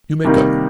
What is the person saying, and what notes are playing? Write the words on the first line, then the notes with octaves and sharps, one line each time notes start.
"You may go."
C3 D#3 G3 A#3 D#4